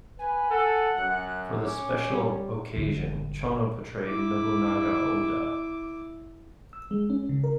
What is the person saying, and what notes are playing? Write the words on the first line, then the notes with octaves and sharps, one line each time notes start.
For the special occasion, Chono portrayed Nobunaga Oda.
B4 G#5
A4 F#5
F#2 F#6
C#4 D6
G3
G1
E4 D6
E6
G#3
C#4
C#3
A#4